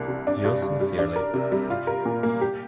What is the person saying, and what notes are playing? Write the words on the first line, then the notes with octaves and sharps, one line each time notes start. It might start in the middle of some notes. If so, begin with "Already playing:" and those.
Yours sincerely.
Already playing: C2 A#3 D4
C3
D4
G2
G2
G3
D4
A#4
C3
G3
F4
A#4
A#2
A#3
G4